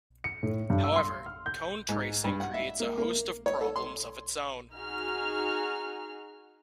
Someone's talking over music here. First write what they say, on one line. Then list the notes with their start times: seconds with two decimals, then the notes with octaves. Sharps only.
However, cone tracing creates a host of problems of its own.
0.24 C#7
0.43 A2
0.70 G2
0.84 E6
0.96 C6
1.26 F6
1.46 G6
1.89 G#2
2.24 G2
2.40 F#5
2.54 E5
2.80 A#3
2.98 A#3
3.46 C#5
3.61 A4
3.76 C6
4.76 D#4 F#4 G#4 F6